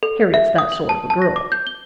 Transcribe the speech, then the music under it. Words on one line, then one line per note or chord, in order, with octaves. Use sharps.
Harriet's that sort of a girl.
A4
E5
D#6
F#7
A5
A5
A#6
D6
G6
G7